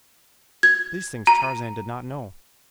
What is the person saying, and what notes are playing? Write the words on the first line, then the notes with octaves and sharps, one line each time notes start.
These things Tarzan did not know.
G#6
A#5